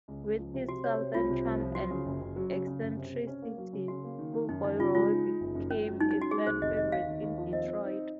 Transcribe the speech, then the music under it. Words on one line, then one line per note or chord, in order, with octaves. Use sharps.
With his southern charm and eccentricities, Schoolboy Rowe became a fan favorite in Detroit.
C#2
C#2
F3
C3
C3 F#4
C3 C#5
C3
C2 F4
C3
C2
F3
F#3 F#4
C#3
F#1
F#1
F#3
C#3
C#3
F#2
C3
C3
C#4
A#3
F#3
C#3
C#3 F#4
A#3
D#3
D#3
F#2 D#4
D#3 D#4
C#3 F4
G#3 F4
D#4
D#4
F#1
F#2
F#2 C#4
F#3
G#3 D#4
D#4
C#4
F#4
G#3 G#4
C2 C5
F1 D#5
D#3 D#5
D#2 F5
D#3
D#2
F3
C4 D#5
C4
D#4